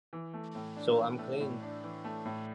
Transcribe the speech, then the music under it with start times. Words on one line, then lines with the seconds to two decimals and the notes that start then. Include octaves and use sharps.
So I'm clean.
0.13 E3
0.34 A3
0.55 A2
0.76 D4
0.98 E3
1.19 A3
1.40 A2
1.63 D4
1.84 E3
2.04 A3
2.26 A2